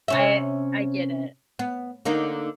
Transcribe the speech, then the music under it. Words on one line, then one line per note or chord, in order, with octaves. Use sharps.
I I get it.
C3 C#4 E5
B3
D3 A#3 D#4